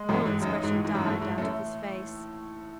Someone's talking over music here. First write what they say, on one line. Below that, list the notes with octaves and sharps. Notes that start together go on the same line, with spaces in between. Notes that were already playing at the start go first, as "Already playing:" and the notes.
All expression died out of his face.
Already playing: G#3
A1 F#2 A2
G#2
F#2 D#4
G#2
A2
G#2
F#2
G#2 A3
G#2
F#2 A3